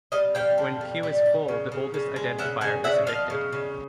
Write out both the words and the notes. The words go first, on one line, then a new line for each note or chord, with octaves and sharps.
When Q is full the oldest identifier is evicted.
G3 D#5 F5
G3 F5 G5
D3
G3
G3
G3
C#3
C#3
C#3
G#3
C#3 E5 F#5
C#3 F#5 G#5
C#3 E5 F#5
F3 D#5 F5
C#3
C#3